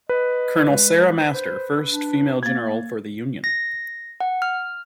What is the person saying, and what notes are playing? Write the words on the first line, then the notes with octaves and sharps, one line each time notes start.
Colonel Sarah Master - First female general for the union.
B4 D#5
G#3
C5
D4
A#3 G#6 A6
A#6
F#5
F6